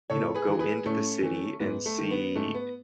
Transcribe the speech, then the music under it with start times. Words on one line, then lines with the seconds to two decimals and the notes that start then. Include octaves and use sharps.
you know go into the city and see,
0.10 A2 A4 C#5
0.35 G#4 B4
0.48 E3
0.60 G#4 B4
0.86 A2 A3 C#4
1.22 E3
1.60 G#2 B3
1.86 A3
1.98 D#3
2.11 B3
2.35 G#2 A3
2.54 B3